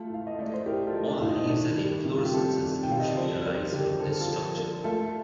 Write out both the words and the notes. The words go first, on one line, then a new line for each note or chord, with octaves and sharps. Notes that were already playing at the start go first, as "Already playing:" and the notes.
All leaves and inflorescences usually arise from this structure.
Already playing: A3 F4 A4
A2 F5
D#5
A3 D5
C5
A2 G4 A#4
F4 A4
A3
D4
A2 F4
D#4
D#3 D4
G3
C3
F4
G4
C3 F4 A4
D#3
G5
G3 F5
D#5
D5
F3 A4 C5
A#3 A#4 D5
D3 G4 A#4
D3 A4
A#4
F4 A4
F3
A#3
A3 F4 A4